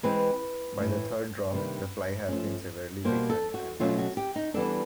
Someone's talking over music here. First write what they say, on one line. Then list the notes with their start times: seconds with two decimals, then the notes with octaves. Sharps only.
By the third drop, the fly has been severely weakened, and dies.
0.03 E3 G#3 C4 B4
0.78 A2 E3 A3
1.53 C3 D#3 G3 A#3 D4 B4
2.28 F3 A3 C#4
3.05 B2 G3 A#3 C5
3.30 A4
3.54 F#4
3.79 B2 F#3 A3 C#4 F4
3.98 F#4
4.17 G4
4.36 D#4
4.54 E3 G3 B3 D4 A4